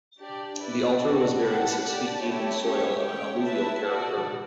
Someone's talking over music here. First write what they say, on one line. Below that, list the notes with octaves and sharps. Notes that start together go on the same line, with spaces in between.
The altar was buried six feet deep in soil of an alluvial character.
D4 G4 D5
E4 B4 D5
B3 D4 F#4 A4 D5
G4 B4 F#5 A5
G4 D5 A5
A3 E4 G4 C#5
C#4 G4 C#5 E5
G4 C#5 G5
E4 B4 E5 A5
F#4 A4 D5